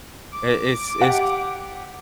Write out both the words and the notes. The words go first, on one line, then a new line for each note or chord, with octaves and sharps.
i it's it's
D6
G4 F#5